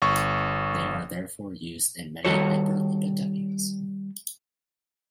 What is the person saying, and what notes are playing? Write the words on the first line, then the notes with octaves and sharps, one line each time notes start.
They are therefore used in many hyperlipidemias.
G1 C#6
D#3 G3 F#4 A4 C#5